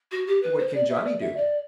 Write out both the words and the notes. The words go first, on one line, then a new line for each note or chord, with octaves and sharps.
"What can Johnny do?"
F#4
G4
B4
C5
C5
D5
E5
D5
E5
D5